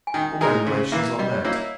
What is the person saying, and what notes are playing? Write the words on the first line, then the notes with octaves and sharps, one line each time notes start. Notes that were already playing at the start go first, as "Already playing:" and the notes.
All my relations are met.
G#5
D#3 G5
G#3 D#4 A#4 G#5
C#3
E3 A#3 E5
G3 D#5
C#5
A#3 E4 C#5